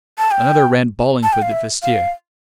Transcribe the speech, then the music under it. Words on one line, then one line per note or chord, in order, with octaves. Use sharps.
Another ran bawling for the vestiaire.
A5
G5
A5
G5
F5
E5
F5